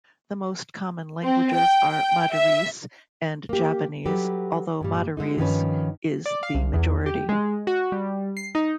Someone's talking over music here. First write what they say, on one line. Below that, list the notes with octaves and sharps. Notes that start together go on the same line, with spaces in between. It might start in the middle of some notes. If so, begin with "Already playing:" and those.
The most common languages are Madurese and Javanese, although Madurese is the majority.
C4
G5
G5
E5
A#3 G4
F#3 G3 G4 A4 B4
G2 A#2 G3
D3 G#3 D#4
G2 D#3 F3 A3 C#4 B4
D5
F5
C2
E2
G4
G#3
F#4
G3
C7
D#4